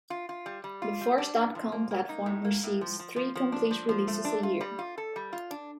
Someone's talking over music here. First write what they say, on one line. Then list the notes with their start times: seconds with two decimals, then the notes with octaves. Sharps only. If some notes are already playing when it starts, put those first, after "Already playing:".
The Force dot com platform receives three complete releases a year.
0.10 F4
0.29 F4
0.46 G3
0.64 G3
0.82 F4
1.01 G3
1.18 D4
1.36 A2
1.55 F3
1.72 A#3
1.91 A#3
2.09 D#4
2.26 A2
2.45 A#3
2.63 A2
2.81 F3
2.99 F3
3.16 F3
3.35 F3
3.52 D4
3.71 F3
3.89 F3
4.08 A3
4.25 D4
4.43 F4
4.61 G3
4.79 F4
4.98 A4
5.16 G3
5.33 F4
5.51 D4